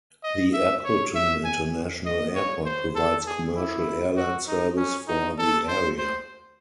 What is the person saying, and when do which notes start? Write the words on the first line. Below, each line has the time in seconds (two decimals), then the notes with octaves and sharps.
The Appleton International Airport provides commercial airline service for the area.
0.23 D#5
0.53 E5
0.84 C#5
1.15 E5
1.44 G#5
2.05 D#5
2.35 C#5
2.65 C5
2.95 A4
3.27 G#4
3.56 E4
4.17 F#4
4.48 D#4
4.77 C#4
5.08 D#4
5.38 A4
5.68 C5
5.98 C5